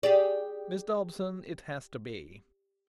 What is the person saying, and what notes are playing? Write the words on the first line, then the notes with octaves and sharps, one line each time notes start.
Miss Dobson, it has to be.
G4 G#4 D5